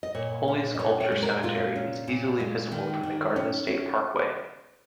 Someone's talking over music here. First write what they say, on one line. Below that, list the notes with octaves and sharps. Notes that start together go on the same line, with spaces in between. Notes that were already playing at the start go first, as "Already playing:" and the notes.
Holy Sepulchre Cemetery is easily visible from the Garden State Parkway.
D#5
A#2 C#5
C#4
D#5
A#2 C#5
C#5
G#3
A#4
A#2 F4
C#4
A#2
G#3
D#3 D#4
D#3
C#4
C#4